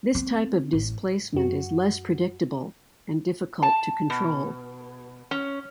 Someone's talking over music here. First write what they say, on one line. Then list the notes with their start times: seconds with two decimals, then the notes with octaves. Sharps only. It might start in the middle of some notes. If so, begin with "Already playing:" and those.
This type of displacement is less predictable and difficult to control.
0.15 C4
0.73 A1
1.34 F#2 F#4
3.63 A5
4.10 B2
5.31 C#4